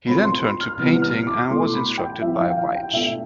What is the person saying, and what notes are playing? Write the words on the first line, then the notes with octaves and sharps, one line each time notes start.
He then turned to painting, and was instructed by Weitsch.
B2 A3 C4 F4 B5
C6
B5
F6
C3 E3 G3 B3 E4 F6
F6
D6
B2 A3 E4 C6
B5
G5
F3 C4 E4 E5
F5
G5
F5
G5
B2 A3 D4 F4 E5